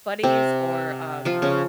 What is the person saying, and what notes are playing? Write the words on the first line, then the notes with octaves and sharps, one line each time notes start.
Buddy's or, um,
C3 C4
F3 F4
C#3 C#4